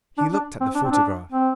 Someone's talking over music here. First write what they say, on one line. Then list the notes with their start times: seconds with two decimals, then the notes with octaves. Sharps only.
He looked at the photograph.
0.18 D4
0.33 D4
0.61 C4
0.75 D4
0.84 C4
0.91 D4
1.32 C4